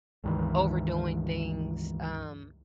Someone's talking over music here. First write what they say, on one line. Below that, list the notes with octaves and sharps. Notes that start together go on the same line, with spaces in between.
overdoing things, um,
C#2 G2 D#3 E3